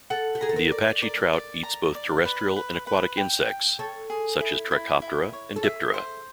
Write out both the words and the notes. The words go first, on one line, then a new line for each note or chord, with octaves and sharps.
The Apache trout eats both terrestrial and aquatic insects, such as Trichoptera and Diptera.
A4 F#5
G4
G#4 A#5
A4
A#4
D5
A#4 D5
D5
A#5
D5
B4
B4
B4
G5
G5
A4 C#5
G#4
E4
E4
E4
C#5
A4
G#4 E5
C5